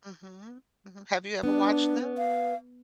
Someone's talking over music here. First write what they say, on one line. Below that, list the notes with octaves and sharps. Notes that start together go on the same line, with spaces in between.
Mhm. Mhm have you ever watched them?
B3 D4
F5